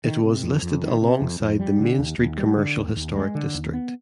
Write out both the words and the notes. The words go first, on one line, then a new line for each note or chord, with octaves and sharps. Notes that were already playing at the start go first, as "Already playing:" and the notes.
It was listed alongside the Main Street Commercial Historic District.
D#3
C3
F2
F2
D#3
C3
F2
F2
G3
D3
D#2
D#2
G3
D3
D#2
D#2
G#3
D3
D#2
B3